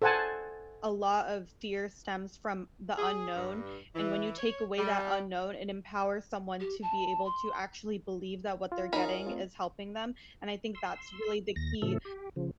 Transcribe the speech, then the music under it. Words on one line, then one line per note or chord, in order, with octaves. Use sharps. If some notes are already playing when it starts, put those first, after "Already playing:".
a lot of fear stems from the unknown, and when you take away that unknown, it empowers someone to be able to actually believe that what they're getting is helping them, and I think that's really the key
A4 C5 F#5 G#5 A5
G#4
G2
E3
C#5
G3
G4
A5
C6
F4
C#4 D#4 G#4 A#4 B5
A3 C4 F4
C6 E6
D#2 A#6
A2 C#3 F3 A3 A4
G4
C#3 F3